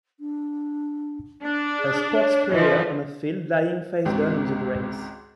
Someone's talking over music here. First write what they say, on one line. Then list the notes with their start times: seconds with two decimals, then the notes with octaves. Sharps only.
A sports player on a field lying face down on the grass.
0.20 D4
1.43 D4
1.79 G#4
2.13 C#5
2.51 E3 F3 D#5
4.05 G#1 C#2 G#2 C4 F#4 G4